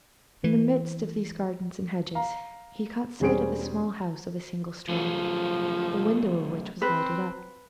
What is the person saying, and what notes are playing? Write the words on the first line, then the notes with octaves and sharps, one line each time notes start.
In the midst of these gardens and hedges he caught sight of a small house of a single story, the window of which was lighted up.
E3
F5 A#5
E1 G3 C#4 G#4 C5 D7
F3 F#3 A3 C#4
C4 B4